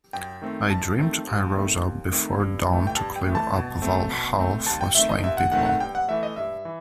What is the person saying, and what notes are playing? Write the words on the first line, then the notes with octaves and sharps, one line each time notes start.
I dreamed I rose up before dawn to clear up Val-hall for slain people.
F#2 G5
D#3 A3 C4
F#2 A5
D#3 A3 C4
D#2
D#3 A3 C4
D#2
D#3 A3 C4
G2
E3 A3
G5
G2 A5
G5
E3 A3
A5
B2
A3 C4
B2
A3 C4
D#2 A5
G5
D#3 A3 C4 E5
D#5
D#2 E5
F#5
D#3 A3 C4 F#5
F#5
G2 G5
F#5
E3 A3 E5
D#5
G2 E5
E3